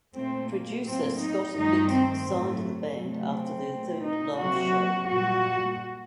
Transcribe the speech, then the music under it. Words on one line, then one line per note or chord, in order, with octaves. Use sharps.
Producer Scott Litt signed the band after their third live show.
A#2 A3 C4
A#3
A2 F#3 A#3 C4
D#4
G2 D#3 A3 D#4
C4
A2 F#3 A3
C3 F#3 A3
C4
A#2 A3
D#4
C3 F#3 A#3 F#4
A#2 G3 A#3 F#4